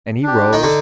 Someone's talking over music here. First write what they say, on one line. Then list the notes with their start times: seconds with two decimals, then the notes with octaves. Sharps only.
And he rose.
0.23 D4 G4
0.53 D#3
0.63 D3 D#4